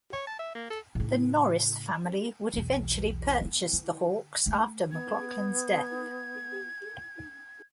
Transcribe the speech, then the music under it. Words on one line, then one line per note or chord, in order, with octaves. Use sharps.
The Norris family would eventually purchase the Hawks after McLaughlin's death.
C#5
A5
E5
A#3
A4
A2 C#3
B1 E2
B3 C4
D3
A3 A#3
B3 G#6